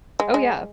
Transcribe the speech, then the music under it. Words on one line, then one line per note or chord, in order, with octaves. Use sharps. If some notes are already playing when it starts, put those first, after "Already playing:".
Oh, yeah,
G#3
G#3